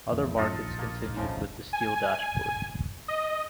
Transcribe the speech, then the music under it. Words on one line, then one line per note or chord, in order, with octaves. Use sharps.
Other markets continued with the steel dashboard.
F2 E3 A3
F#2 A2 D#4 F4 A4
A#1
A#3
C#3 F3 A3
G#5
D#5